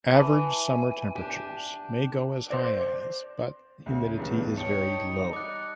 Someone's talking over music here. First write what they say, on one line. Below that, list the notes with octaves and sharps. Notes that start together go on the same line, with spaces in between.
Average summer temperatures may go as high as but humidity is very low.
E3 G#5 A5
D4 G4
C5 D5
D2 C#3
C#2 G2 B2 E3
G3 D#4 C#5 G5 A5 C#7
D5 D6 F#6